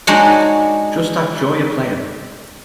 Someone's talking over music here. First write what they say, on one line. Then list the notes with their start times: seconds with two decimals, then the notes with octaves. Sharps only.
Just that joy of playing.
0.07 G#3 D4 D#4 F#4 C#5